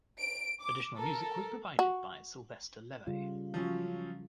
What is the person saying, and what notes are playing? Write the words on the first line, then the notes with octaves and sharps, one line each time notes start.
Additional music was provided by Sylvester Levay.
D7
D6
A4 A#4
F#4
C#3 G3 F4
F3 F#3 C#4